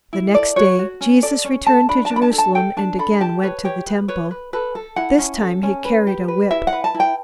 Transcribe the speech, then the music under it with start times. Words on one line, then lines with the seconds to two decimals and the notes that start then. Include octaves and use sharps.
The next day Jesus returned to Jerusalem and again went to the Temple. This time he carried a whip.
0.13 E4
0.34 A4 D5
0.56 F#4 C#5
0.79 F#4
1.01 C#4
1.23 A4 D5
1.44 C#4
1.66 A4 A5
1.89 D4 B5
2.05 A5
2.10 D4
2.16 B5
2.22 A5
2.33 A4
2.38 A5
2.55 A4 G5
2.77 D4 A5
2.99 A4 B5
3.20 G4 A5
3.43 B4 C#5
3.65 G4 C#5
3.87 B4
4.08 B4 C#5
4.31 B4
4.53 A4 B4
4.75 A4
4.96 E4 F#5
5.18 C#4
5.41 A4
5.63 C#4
5.85 B4
6.07 G4
6.28 B4
6.51 E4 E5
6.67 F#5
6.73 B4
6.84 A5
6.95 E4
7.00 G5